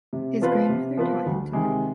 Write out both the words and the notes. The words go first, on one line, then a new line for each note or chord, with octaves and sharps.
His grandmother taught him to cook.
C3
F3 B3 F4 B4
C3
F3 B3 F4 B4
D2
C3 D#3 G#3